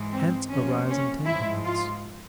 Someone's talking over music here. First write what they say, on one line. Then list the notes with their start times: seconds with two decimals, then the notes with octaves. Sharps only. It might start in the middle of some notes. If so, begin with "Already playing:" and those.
Hence arise entanglements.
Already playing: G#2 E3 G#3
0.13 C4
0.51 C3 F3 A#3 C#4
0.89 C#4
1.26 G#2 F3 G#3 E4
1.65 F4